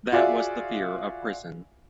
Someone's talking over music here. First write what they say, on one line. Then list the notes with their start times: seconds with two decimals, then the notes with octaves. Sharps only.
That was the fear of prison.
0.12 F4 F#4 G#4 D5 E5